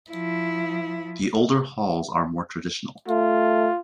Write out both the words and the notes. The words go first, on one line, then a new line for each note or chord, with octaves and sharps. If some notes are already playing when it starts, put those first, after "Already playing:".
The older halls are more traditional.
F3 E4
A3 F4